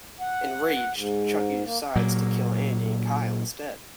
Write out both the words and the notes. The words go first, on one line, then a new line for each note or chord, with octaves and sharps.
Enraged, Chucky decides to kill Andy and Kyle instead.
F#5
G#2
A#3
A#2 F#3 A#3